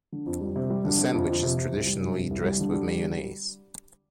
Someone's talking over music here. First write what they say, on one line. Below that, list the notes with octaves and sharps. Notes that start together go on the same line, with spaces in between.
The sandwich is traditionally dressed with mayonnaise.
D3
F2
G3
C3
G3
D3
C3
F2
F3
C3
C3
C2
G3
G2
C3
C2
G3
D3
G3